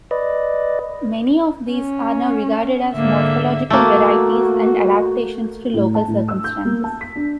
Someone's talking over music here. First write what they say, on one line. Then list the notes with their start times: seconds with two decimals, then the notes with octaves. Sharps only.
Many of these are now regarded as morphological varieties and adaptations to local circumstances.
0.11 B4 D5 D#5
1.72 C#4
2.95 G#2 D3 A#3 E5
3.70 A3 A#3 F#4
5.74 A2
5.95 A5
6.08 A2
6.28 E6
6.44 G6
6.65 A#3
6.84 A5
7.01 B6
7.16 D4